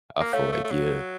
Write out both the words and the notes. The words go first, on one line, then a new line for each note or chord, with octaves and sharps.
I feel like, yeah,
A#3
A3 C#5 F5
A3
A3
F#3